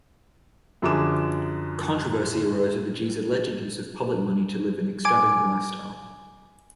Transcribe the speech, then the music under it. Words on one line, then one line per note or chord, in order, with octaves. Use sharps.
Controversy arose over Gee's alleged usage of public money to live an extravagant lifestyle.
F#2 D3 F3 G#4 D6 E7
G#5 D6